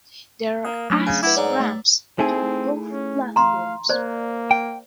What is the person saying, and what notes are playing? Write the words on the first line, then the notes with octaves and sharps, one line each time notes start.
There are access ramps to both platforms.
A#3 D#6
F#3 A3 C#4 D4
C#3 G#5
E4 B4 F#5 D6
G#2 C#5 D5 A#5
A3
A3 C4 D#4 E4 G#4
C#4
F5 A#5 C6
A#3 C5 D5
G5